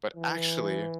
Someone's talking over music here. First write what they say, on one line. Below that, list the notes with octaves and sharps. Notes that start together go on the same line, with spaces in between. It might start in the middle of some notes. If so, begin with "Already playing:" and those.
But, actually
E3